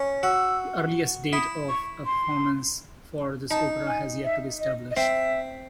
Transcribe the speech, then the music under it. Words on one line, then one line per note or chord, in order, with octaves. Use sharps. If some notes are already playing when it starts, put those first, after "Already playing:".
The earliest date of a performance for this opera has yet to be established.
Already playing: C#4
F#4 E6
E4 D#6
C#6
C6
D#4 A5
G#5
E5
D#5
D#5
C4 E5